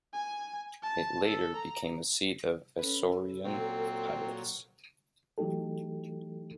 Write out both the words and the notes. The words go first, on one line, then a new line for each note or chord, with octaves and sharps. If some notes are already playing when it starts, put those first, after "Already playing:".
It later became a seat of Isaurian pirates.
G#5
A5
A4
A#5
C#4 A4 B4
A#2 F#3 C4
E3 F#3 A3 D#4 G4 A4